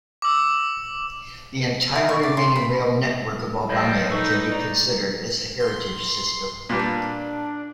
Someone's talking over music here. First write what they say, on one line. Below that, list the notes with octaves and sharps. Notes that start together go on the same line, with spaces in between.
The entire remaining rail network of Albania can be considered as a heritage system.
D6 E6
E4
C#6
D5
C6
B5
F3 G3 C5 C#5 D#5
D#4 A4 B4 D#5 C#6
D5 A#5
C6
A#2 G3 D4 B4